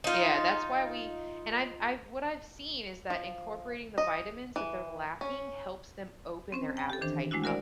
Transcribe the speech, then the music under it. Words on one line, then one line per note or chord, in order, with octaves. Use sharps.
yeah, that's why we and I've I've what I've seen is that incorporating the vitamins that they're lacking helps them open their appetite up.
D#4 F4
F3
D#5
E3
C#4
C4 C#4 C5
G5 B5
G4 A4
D#3 E3 D4 C5
G#3 A3 D4 E4 F#4
F#4 A#4 C5 D5 F#5